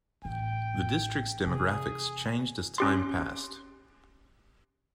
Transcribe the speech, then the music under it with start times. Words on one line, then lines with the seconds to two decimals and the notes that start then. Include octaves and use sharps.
The district's demographics changed as time passed.
0.25 A1 G5
1.45 E2 C3 G#4
2.78 C#4 G4 C6